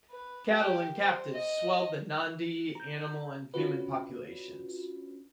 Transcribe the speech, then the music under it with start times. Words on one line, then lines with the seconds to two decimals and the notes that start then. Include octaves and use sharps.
Cattle and captives swelled the Nandi animal and human populations.
0.11 B4
0.48 G4
0.98 C5
1.33 D#5
2.75 A#5 G6
3.54 C#4 D4 F4 F#4 B4